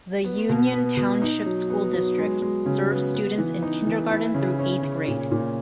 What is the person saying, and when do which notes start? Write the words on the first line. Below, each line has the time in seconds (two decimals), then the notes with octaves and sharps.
The Union Township School District serves students in kindergarten through eighth grade.
0.24 B3
0.49 B2
0.73 B3
0.97 B2
1.22 D#4
1.46 F#3
1.70 B3
1.93 F#3
2.18 G#3
2.42 G#3
2.66 C#3
2.90 B3
3.14 B3
3.38 E3
3.62 D#4
3.87 E3
4.10 E4
4.34 C#3
4.59 C#4
4.82 C#3
5.08 A#2
5.32 A#2